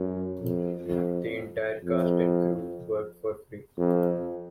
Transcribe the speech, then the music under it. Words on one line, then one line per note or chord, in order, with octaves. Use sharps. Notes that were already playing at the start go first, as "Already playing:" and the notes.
The entire cast and crew worked for free.
Already playing: F#2
F2
F2
F2
F2